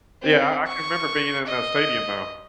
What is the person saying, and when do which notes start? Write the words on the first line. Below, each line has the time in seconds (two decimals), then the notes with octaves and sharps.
Yeah, I I can remember being in that stadium now.
0.22 C4
0.67 C#6
1.47 D#5